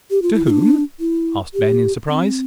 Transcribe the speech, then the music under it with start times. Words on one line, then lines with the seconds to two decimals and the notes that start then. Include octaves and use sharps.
"To whom?" asked Ben, in surprise.
0.11 G4
0.22 F4
0.34 E4
0.45 E4
0.50 D4
1.00 E4
1.54 G4
2.09 C4